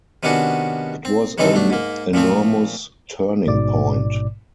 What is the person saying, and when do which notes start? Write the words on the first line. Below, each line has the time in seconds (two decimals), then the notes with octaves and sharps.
It was an enormous turning point.
0.23 C3 D#3 B3 C#4 D4 F#4
1.05 C4
1.38 C3 D#3 E3 C4 D#4 A4
1.54 B1 A3 D4
1.70 G#2 A#3
2.14 A#2 F3 A3 C4
3.46 A1 G#2 B2 D5 D6